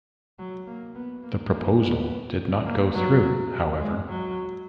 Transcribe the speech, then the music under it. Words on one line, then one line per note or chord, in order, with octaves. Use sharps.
The proposal did not go through however.
F#3
A#3
B3
A#3
A#3
B3
A#3
F#3
G#3
F#3